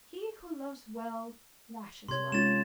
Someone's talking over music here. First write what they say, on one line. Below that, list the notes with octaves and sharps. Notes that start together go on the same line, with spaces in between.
He who loves well lashes well.
C3 C#5 C6 G#6
G#3 C#4 F4 A6 E7